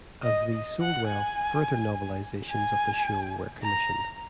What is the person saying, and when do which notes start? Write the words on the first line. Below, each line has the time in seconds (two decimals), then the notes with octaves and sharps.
As these sold well further novelisations of the show were commissioned.
0.24 D#5
0.53 D#5
0.81 F#5
1.08 G#5
2.50 G#5
3.63 A#5